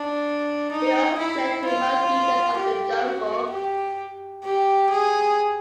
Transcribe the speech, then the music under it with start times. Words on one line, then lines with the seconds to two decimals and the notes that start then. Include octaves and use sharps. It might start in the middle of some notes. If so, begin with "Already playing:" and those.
Still others fled to remote regions of the jungle.
Already playing: D4
0.72 D#4
1.18 E4
1.65 F4
2.57 G4
3.04 F#4
3.50 G4
4.44 G4
4.90 G#4